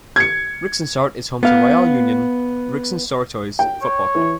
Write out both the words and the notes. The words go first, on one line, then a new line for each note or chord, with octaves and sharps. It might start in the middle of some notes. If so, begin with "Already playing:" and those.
Rixensart is home to Royale Union Rixensartoise football club.
G#6 C#7
B3 F5
G5
C#5
E3